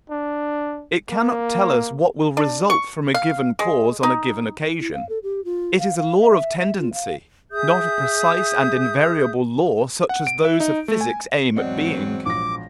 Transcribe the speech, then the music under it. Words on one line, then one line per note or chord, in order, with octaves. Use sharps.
It cannot tell us what will result from a given cause on a given occasion. It is a law of tendency, not a precise and invariable law such as those of physics aim at being.
D4
A#3
D4
C#6
F5
G#3
D#4
E4
F5
A4
G4
F4
F5
F5
E5
E5
F4
F5
G#4 E5 D#6 G6
F#5
D7
E5
D#4
A3
G#5
E2 G#2 F#3 C4 D5 D#5 F#5
A#1 D6 A#6